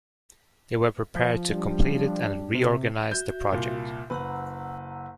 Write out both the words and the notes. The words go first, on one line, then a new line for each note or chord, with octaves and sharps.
They were prepared to complete it and reorganized the project.
F3
G3 D4
C3
F#4 E5 G6
C2 A#2
F#1 B4 F#5 A#5 E6